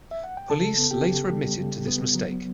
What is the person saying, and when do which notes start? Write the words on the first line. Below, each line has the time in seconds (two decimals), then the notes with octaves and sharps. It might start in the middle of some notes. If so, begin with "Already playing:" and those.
Police later admitted to this mistake.
0.11 E5
0.24 F#5
0.37 G5
0.50 C#3 A4 A5
0.78 B3
0.91 G4 G5
1.06 C#3
1.32 G3
1.59 C#3
1.87 B3
2.15 F#3